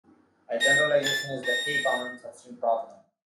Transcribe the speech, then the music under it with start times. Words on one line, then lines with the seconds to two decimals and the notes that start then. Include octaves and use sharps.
A generalization is the k-common substring problem.
0.61 A#6
1.04 A6
1.45 A#6